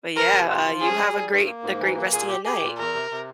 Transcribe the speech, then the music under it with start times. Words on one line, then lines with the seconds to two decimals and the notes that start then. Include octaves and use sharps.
But, yeah, uh, you have a great a great rest a your night.
0.16 F3 A#4
0.33 C3
0.49 F4
0.65 F3
0.81 C#4 G#4
0.98 G3
1.14 G3
1.31 G2
1.47 A#3
1.63 G#2
1.80 E3
1.96 A#3
2.12 A#2 G#4
2.29 G4
2.45 G4 G#4
2.61 A#2
2.78 E2 A#4
2.94 C3
3.11 C3